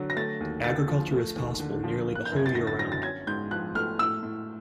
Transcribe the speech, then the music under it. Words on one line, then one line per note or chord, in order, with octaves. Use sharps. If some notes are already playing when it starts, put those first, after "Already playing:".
Agriculture is possible nearly the whole year round.
Already playing: D3 F#3
A#6
A3 A6
D#2
D3 A6
F3
A3
D#2
D3
F3
A#3
F#6
G6
F#2 G#6
A6
D3 A#6
A6
F#3 A#6
A6
C#4 G#6
G#2 G6
F3 F#6
A3 F6
A2 E6
A2